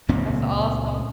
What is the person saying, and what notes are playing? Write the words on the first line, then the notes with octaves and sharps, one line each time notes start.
That's awesome.
C#2 A#2 C4 C#4